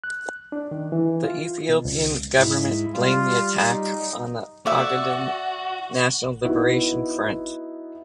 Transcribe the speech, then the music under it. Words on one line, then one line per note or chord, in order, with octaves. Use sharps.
The Ethiopian government blamed the attack on the Ogaden National Liberation Front.
F#6
D4
D#3
E3
F4
B2
C#2
G#2 E4
G3 F4
D#4
F#4 D5 E5
B3 D#4 E4 F#4